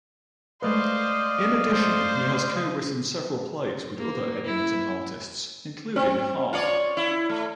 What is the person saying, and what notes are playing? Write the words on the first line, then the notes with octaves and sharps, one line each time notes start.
In addition, he has co-written several plays with other Edmonton artists, including Ha!
G#3 A3 B4 C5 D5 D#5 F5
G#3 A3 C5
A#3
E4
C4
F4 C#5 D5
E4
A3